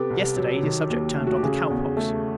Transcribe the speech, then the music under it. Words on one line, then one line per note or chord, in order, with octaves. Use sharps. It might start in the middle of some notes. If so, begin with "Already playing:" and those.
Yesterday, the subject turned on the cow-pox.
Already playing: C3 B3 G4 A4
C2
F#3
D#3
D#2
A3
F#4
G4
C#3 F#4 G#4
E2
A3